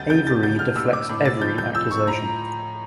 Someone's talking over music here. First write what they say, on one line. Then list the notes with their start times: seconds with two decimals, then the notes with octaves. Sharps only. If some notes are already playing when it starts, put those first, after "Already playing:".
Avery deflects every accusation.
Already playing: D2 G3 G6 A6
0.10 C#3 G6
0.27 A6
0.43 D2 G6
0.59 F6
0.76 A2 E6
0.93 D6
1.09 A2
1.25 A6
1.41 F3 G6
1.58 G6
1.75 F3 E6
1.91 C#6
2.07 A2 A#5